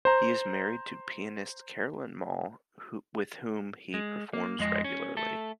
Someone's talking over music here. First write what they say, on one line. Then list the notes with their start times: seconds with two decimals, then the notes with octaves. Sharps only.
He is married to pianist Carolyn Maule, with whom he performs regularly.
0.05 C5 A#5
3.94 G#3
4.33 A#3
4.59 F2 G#3 D#5
4.84 C#4
5.17 A3 A4